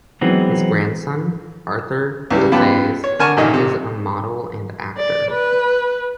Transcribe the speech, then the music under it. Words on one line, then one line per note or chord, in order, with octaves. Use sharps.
His grandson, Arthur Defays, is a model and actor.
E3 F#3 G#3 B3 C4 D#4
C#2 E3 G3
F#2 B3 F4 G4 A5 B5
C#5
D3 A#4 G#5 A5 C#6 F6
A1 A#2 D#3 D#5
C3
D5
B4